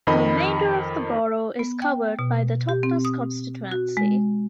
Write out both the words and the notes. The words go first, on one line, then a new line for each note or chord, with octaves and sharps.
The remainder of the borough is covered by the Totnes constituency.
F2 D#3 D#5 B5
B3
G5
B2
G4
C4
D#6
F#4
G#3